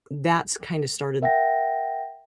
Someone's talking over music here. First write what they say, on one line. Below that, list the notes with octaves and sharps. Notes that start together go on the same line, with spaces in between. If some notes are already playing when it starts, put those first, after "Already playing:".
that's kinda started,
A#4 E5 F#5 G5 A#6